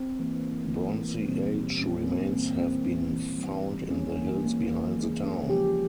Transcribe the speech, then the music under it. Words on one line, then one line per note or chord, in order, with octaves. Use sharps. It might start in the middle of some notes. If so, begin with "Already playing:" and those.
Bronze Age remains have been found in the hills behind the town.
Already playing: C4
E3 A#3
E3 A#3
A#2 G3 A#3 C4
A#2 G3 A#3 C#4
A#3
C4
E3 A#3 C4
C4
E3 A#3 C4
E3 G3 A#3
E3 G3 A#3 C#4
A#3
E3 G#3 A#3
E3 G#3
C#4
C#3 F3 G#3 G4